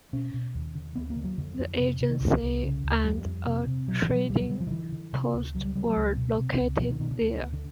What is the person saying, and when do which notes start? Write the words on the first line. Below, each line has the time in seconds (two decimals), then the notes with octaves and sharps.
The agency and a trading post were located there.
0.13 B2 C#4
0.34 B2
0.55 D#2
0.75 D3
0.95 D2 B3
1.10 A#3
1.16 D3
1.24 F#3
1.38 F2 D3
1.59 F2
1.79 C3
2.01 C3
2.10 D#3
2.20 C2 D3
2.42 C2
2.63 C#3
2.84 D2
3.04 F2 G3
3.25 F2
3.46 C3
3.67 C3
3.88 B2 F#3
4.02 E3
4.08 B2
4.16 F#3
4.29 D2 G3
4.40 F#3
4.50 D3 G3
4.60 F3
4.67 D#3
4.71 D3 E3
4.92 D3
5.13 C3
5.34 D2
5.54 C#2 F#3
5.65 G3
5.75 C3 G3
5.86 F#3
5.96 C#2
6.17 B2
6.38 C3
6.59 C#2
6.79 B2 F3
6.90 D#3
7.00 B2 D#3
7.11 D3
7.21 D2
7.42 D2
7.53 D3